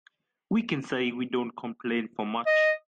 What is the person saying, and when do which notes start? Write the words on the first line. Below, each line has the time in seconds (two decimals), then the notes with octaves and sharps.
We can say we don’t complain for much.
2.46 D#5